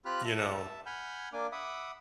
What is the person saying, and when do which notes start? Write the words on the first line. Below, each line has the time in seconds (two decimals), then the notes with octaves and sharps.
You know,
0.05 C4 F4 G4 B5 F6 F#6
0.25 E5 A5
0.86 F#5 G#5 B5 F6 G6
1.33 A#3 D4 G#5 D6
1.52 E5 F#5 B5 D6 D#6